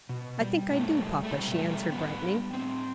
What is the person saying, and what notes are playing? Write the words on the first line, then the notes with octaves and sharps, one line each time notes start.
"I think I do, papa," she answered, brightening.
B2
G3
B2 A3
G3
A3
B2 G3
A3
G3
A3
A2 B3
G3
A2 C4